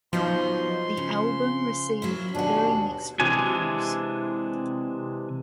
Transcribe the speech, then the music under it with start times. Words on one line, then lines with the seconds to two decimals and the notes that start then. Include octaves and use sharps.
The album received very mixed reviews.
0.13 F3 F#3 B3 D#4 C6
0.97 C#3
2.02 F#3 A#3 E4
2.35 D#2 B2 D4 F#4 G#4
3.20 C3 E3 G#3 D4 G#5